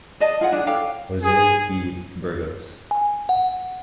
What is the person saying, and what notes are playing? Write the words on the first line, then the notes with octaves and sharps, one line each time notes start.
Jose P. Burgos.
G#4 D5 D#5 A5
F4 G#4 F#5
D4 G#4
G4 A4 C#5 F5
G#4
G#5
F#5